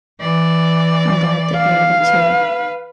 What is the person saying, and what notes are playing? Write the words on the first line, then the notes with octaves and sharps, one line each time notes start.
I'm glad that you're able to
E3 D5
F5
B4